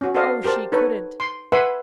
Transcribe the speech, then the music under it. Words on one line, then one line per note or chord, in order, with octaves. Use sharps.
Oh, she couldn't!
C#4 F#4
F#4 A4 C5 D5 D#5 F5
G4 A#4 C5 A5
D#4 A4 B4 C#5
C6
B4 E5 F#5 G#5 B5 C6